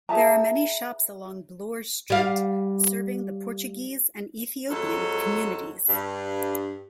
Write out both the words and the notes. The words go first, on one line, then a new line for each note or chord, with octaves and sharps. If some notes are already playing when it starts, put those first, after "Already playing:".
There are many shops along Bloor Street serving the Portuguese and Ethiopian communities.
G#4 E5 A5 A#5
G3 F5
F2 F#3 G#3 A4
G2